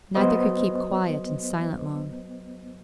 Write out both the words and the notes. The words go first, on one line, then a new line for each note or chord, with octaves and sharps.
Neither could keep quiet and silent long.
F#3 B3 C5 D#5